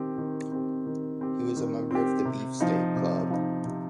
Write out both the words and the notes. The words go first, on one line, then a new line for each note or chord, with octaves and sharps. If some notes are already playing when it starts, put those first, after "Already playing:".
He was a member of the Beefsteak Club.
Already playing: D#3 C4 G4
D#3
C4 G4
D#3
C4 G4
D#3
C4 G4
C3
F3 D#4
C3
F3 D#4
C3